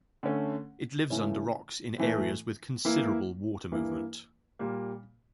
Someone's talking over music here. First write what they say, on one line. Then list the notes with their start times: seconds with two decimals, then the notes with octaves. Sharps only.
It lives under rocks in areas with considerable water movement.
0.23 D3 A3 C#4
1.10 C#3 E3 A3 C#4 E4
1.98 A2 E3 A3
2.85 E3 A#3 E4
3.72 G2 E3 A#3 E4
4.59 A#2 G3 A#3